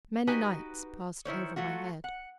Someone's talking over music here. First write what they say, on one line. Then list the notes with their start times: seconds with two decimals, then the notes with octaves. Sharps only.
Many nights passed over my head.
0.27 D#4 F#4 G4 B4 G#5
1.25 D#3 E4 C5 C#5
1.56 F#3 A3 F4 F#4
2.04 F#5